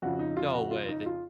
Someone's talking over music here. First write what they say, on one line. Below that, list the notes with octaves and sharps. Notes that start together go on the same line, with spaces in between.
No way, they
F2 C#3 F3 F#4
D#4
F4
F#4
F4
D#4
F4